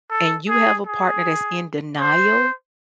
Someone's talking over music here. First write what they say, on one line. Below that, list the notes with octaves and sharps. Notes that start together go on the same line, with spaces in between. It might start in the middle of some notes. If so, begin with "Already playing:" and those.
and you have a partner that's in denial,
A4
G#4
G#4
C5